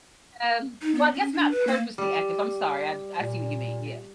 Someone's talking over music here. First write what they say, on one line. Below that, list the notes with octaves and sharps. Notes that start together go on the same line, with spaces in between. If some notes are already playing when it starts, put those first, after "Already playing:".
Um, well, I guess not purposely active, I'm sorry, I I see what you mean, yeah.
D#4
B3
C#4
D4
B4
A#3
G3
A#2